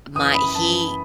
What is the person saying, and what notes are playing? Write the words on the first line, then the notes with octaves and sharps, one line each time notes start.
My he
F#2 E3 D#6
B5
F#2 E3 A5